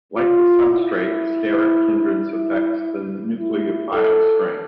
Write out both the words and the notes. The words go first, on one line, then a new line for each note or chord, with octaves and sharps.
Like the substrate, steric hindrance affects the nucleophile's strength.
F4
E4
E4
E4
A4